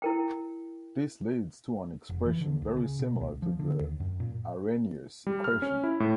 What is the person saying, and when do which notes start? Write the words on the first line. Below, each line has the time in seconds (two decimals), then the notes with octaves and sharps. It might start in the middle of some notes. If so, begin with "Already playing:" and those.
This leads to an expression very similar to the Arrhenius equation.
0.02 E4 A#4 G5
2.09 F1
2.26 E3
2.41 D3
2.62 C#2
2.77 C#3
2.99 B2
3.21 C#2
3.42 F3
3.59 D3
3.80 D#2
4.00 F#2
4.20 A#2
5.27 G3
5.44 F6
5.62 C#4
5.84 E4
6.00 A2